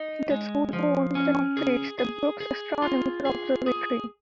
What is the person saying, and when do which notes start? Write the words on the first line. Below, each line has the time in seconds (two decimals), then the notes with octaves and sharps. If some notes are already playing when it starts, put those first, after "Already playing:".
The school owns and operates the Brooks Astronomical Observatory.
Already playing: D#4
0.31 G#3
0.73 F3
1.15 C#4
1.57 G#4
1.99 G#4
2.40 G#4
2.82 F4
3.25 G#4
3.66 G#4